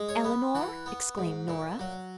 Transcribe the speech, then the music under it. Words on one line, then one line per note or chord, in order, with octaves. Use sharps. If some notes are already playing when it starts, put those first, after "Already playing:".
"Eleanor?" exclaimed Nora.
Already playing: G#3
C#5
B3
E3 F#5
B3
G#2
A#2
F#3